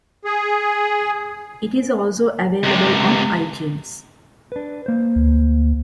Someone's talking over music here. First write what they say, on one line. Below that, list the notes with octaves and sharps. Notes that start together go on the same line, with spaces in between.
It is also available on iTunes.
G#4
C#2 C3
D4 B4
A#3 C5
D2